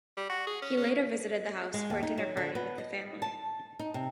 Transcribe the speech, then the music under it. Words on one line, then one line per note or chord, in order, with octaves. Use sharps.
He later visited the house for a dinner party with the family.
G3
F#4
G#4
C#4
C#4
G#3
D#2
D#4
F#3
D3
B3
D#5
A5
D#4
C3